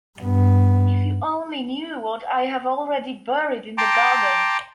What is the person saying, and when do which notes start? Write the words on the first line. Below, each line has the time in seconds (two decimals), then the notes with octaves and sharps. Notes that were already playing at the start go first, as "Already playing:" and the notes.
If you only knew what I have already buried in the garden!
0.20 G2 B3
3.78 G5 A5 A#5 C6 D6